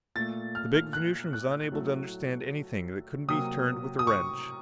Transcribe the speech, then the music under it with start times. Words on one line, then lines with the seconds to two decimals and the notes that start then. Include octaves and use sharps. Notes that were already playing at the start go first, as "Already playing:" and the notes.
The big Venusian was unable to understand anything that couldn't be turned with a wrench.
0.15 A#2 A3 A6
0.55 F6
0.74 F6
0.93 F#6
1.33 F#6
1.72 A2 F#3 A3
3.28 C3 F#3 A#3 D#6
3.99 D#6
4.07 C#6